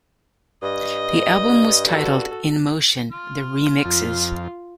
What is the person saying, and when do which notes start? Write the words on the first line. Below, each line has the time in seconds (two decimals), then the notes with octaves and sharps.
The album was titled "In Motion: The Remixes".
0.62 G2 D#5
1.86 F#4 A4
3.12 C6 F6
3.85 F2 F4